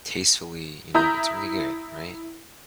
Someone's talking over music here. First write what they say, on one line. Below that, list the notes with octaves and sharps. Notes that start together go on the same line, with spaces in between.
tastefully you know, it's really good, right?
E4 A#5 D#6 G6